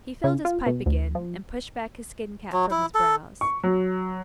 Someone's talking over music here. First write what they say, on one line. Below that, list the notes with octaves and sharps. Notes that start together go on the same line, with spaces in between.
He filled his pipe again, and pushed back his skin cap from his brows.
C#3
F4
B2
D2
F3
F#3
E4
A4
C#6
F#3